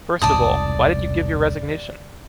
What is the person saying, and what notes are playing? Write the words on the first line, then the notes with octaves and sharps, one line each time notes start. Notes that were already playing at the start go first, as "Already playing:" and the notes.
First of all, why did you give your resignation?
E1 C2 G#2 D5 A5 D#6